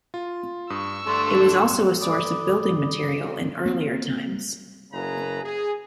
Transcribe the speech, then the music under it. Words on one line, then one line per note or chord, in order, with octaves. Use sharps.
It was also a source of building material in earlier times.
F4
G2 C#6 D#6 E6
G2 D3 A3 D4 C6
A4 D5 B5 D6 D#6
A#3 C4
F#1 C#3 G#4 A#4 B4 A#5
G#4